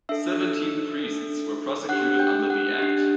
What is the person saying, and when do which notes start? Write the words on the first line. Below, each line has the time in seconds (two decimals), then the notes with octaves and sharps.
Seventeen priests were prosecuted under the act.
0.09 D4 A4 E5 E6
0.99 D4 A4
1.89 D4 G4 F#5 F#6
2.19 G5 G6
2.50 F#5 F#6
2.79 D4 G4